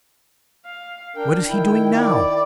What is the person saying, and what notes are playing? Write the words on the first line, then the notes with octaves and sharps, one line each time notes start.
What is he doing now?'
F5
D4 A#4 G5
D#3 E4
D5